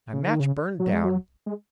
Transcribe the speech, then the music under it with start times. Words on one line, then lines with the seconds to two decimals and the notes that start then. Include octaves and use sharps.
My match burned down....
0.13 C#3
0.27 D#3
0.40 C#3
0.80 F#3
0.93 G#3
1.05 F#3
1.46 G#3